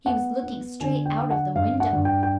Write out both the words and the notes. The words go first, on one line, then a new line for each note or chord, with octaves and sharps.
He was looking straight out of the window.
B3 F#5
B3
D3 G#5
G5
D4
F#5
G2 F5
F#5
G2
G5
G5